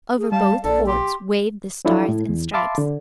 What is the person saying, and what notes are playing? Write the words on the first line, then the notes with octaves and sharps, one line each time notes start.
Over both forts waved the Stars and Stripes.
G#4
G3 F5 A5
A#1 A4 D5
G4 C6
F3 F#3 D4 E4 F4 A4
A2
E2
E5 F5 A5 B5 C6 D6
D3